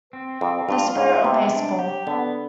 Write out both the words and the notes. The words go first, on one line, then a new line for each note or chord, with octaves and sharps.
The Spirit of Baseball.
C4
F2 C4
G2 F4
G#2 F4
C3 B3
D4
G4
D3 B3